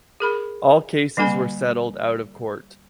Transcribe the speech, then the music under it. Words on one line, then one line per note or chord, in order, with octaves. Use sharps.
All cases were settled out of court.
G#4 A#4 B5
D3 G3 A#3 G#5 B5